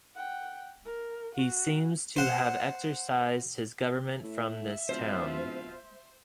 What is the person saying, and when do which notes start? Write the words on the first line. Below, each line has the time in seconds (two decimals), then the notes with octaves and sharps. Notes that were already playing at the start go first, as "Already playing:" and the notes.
He seems to have exercised his government from this town.
0.16 F#5 G5
0.85 A#4
1.35 F#4
2.16 C5 F#5
4.23 A2 E5
4.89 D1 B2 F4 C5